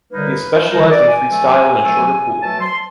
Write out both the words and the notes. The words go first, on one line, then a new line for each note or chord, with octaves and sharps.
He is specialized in freestyle in a shorter pool.
F#2 D3 G3 A#3 D#4 B4
F#2 D3 G3 A#3 D#4 A#4
D#5
D5
G#5
B2 F#3 A3
B2 F#3 A3
B2 F#3 A3 A5
C6